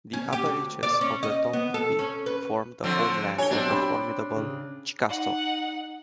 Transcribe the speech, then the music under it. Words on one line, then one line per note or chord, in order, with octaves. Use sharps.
The upper reaches of the Tombigbee formed the homeland of the formidable Chickasaw.
C#4
G4
D2
D5
C#4
D#5
B3
A4
C#4
B4
D3 F3 C4
C#5 G#5 G7
B1 C4 D4
G4 G5 B5
C#3
D#4 F#5